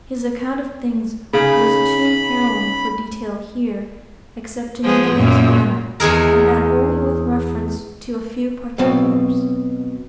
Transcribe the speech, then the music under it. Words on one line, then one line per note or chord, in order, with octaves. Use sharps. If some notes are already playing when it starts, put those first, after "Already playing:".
His account of things was too harrowing for detail here, except in the briefest manner, and that only with reference to a few particulars.
C#3 D#4 G#4 B5
F3 G#3 B3
F#2 A#2
E2 G#3 G#4 A#4
B2 F#3 C4 A5